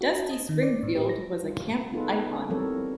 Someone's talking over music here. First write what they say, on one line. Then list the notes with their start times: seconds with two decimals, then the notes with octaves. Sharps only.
Dusty Springfield was a camp icon.
0.01 F#4
0.14 A5
0.31 D#5
0.49 D#3
0.63 D5
0.83 A2
0.95 G4
1.09 A#6
1.44 G3 F4
1.92 B3 D#4 F4 G#4 A4 B4
2.50 E3 G3 C4 A4 A#4 C#5